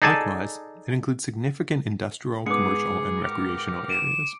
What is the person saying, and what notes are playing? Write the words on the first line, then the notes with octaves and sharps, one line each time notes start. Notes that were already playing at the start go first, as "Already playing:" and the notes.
Likewise, it includes significant industrial, commercial and recreational areas.
D#4 G#4 A4 D5 G#5 A5
G#2 B3 G#4 D6 C#7
D#4 G4 A#4
D7 E7